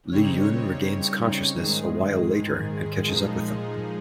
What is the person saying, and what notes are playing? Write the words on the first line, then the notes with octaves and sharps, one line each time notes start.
Li Yun regains consciousness a while later and catches up with them.
C#3 G3 C4 D#4 C#5
G#2 D#3 G#3 G#4
A#2 F3 G#3 D#4